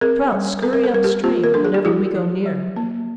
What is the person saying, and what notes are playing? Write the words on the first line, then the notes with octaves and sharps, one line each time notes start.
Trout scurry up stream whenever we go near.
C4 G#4 A#4
G3
C4 A4
A#4
A4
G3 A#4
G4 A4
A#3 F4 G4
A#4
D4 A4
G#4
G4
F3 E4 F#4
F3
F#3
A#3